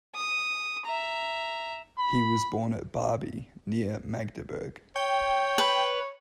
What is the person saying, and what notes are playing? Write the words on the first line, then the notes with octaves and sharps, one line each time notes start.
He was born at Barby, near Magdeburg.
D#6
E5 A#5
B5
C#5 G5
B4